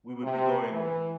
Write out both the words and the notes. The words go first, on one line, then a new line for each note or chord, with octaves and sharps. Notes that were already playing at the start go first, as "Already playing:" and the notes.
we would be going
C3
E3